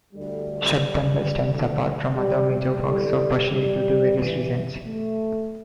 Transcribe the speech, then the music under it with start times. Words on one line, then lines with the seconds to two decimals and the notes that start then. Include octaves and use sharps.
"Shabdangal" stands apart from other major works of Basheer due to various reasons.
0.13 D2 D3 G3
1.49 D2 D3
2.15 G3
2.49 G3
2.82 E2 D3 G3
3.49 G3
4.17 G2 E3
4.84 A3